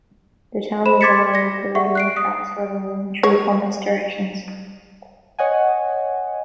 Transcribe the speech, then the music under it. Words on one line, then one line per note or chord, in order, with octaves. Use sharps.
The town was aligned with the railroad tracks rather than in true compass directions.
C5 B5 E7
C6 D6 G#6 A6 B6 C#7
D5 A#6
G#4 E5 F#5 C#6
F#6 C7 D7
D#6
C#5
C#5 D#5 F#5 G#5